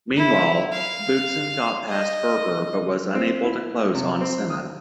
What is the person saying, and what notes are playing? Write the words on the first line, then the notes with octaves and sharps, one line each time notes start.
Meanwhile, Boutsen got past Berger but was unable to close on Senna.
E4
F5
D#5
C4
E4
C3
C4
D#6